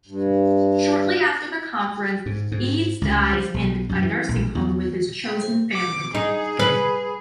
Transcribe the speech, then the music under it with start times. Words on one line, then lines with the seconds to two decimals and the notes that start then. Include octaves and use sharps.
Shortly after the conference, Eads dies in a nursing home with his chosen family.
0.07 G2
2.26 G#2
2.52 G#2
3.02 C#2
3.33 F3
3.54 B1
3.89 F#2
4.02 E3
4.29 A#1
4.55 E2
5.72 D6
6.15 D#4 G#4
6.59 B4